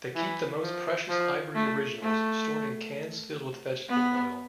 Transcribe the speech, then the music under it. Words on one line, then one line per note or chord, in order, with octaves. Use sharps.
They keep the more precious ivory originals stored in cans filled with vegetable oil.
E3
F3
F3
A3
A3
B3